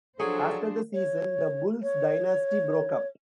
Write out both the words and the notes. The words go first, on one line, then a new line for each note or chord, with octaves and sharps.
After the season, the Bulls dynasty broke up.
F3 F#3 D4 G#4 A4 C5
C#5
C#5